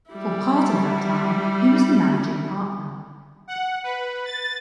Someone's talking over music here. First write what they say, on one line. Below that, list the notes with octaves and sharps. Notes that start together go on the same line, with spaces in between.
For part of that time he was the managing partner.
G3 E4
F#5
B4
A6